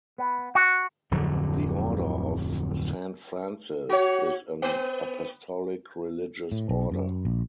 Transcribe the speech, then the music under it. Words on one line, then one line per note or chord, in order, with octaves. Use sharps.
The Order of Saint Francis is an Apostolic religious order.
B3
F#4
D1 F2 D3 F#3
F#4 C#5
B3
A2
B1
F#2
A#1